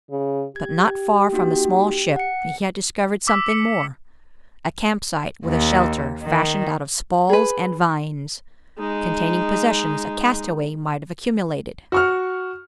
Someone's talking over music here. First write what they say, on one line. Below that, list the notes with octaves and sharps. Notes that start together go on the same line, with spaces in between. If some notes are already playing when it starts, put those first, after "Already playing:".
But not far from the small ship he had discovered something more--a campsite with a shelter fashioned out of spalls and vines, containing possessions a castaway might have accumulated.
C#3
G4 G#6
A#3 D#4 F#4
F#5 C#7
D6 E6 B6
C#7
D#2
D#3
G#4 B4
G#3 D#4
F#4 C#6 F6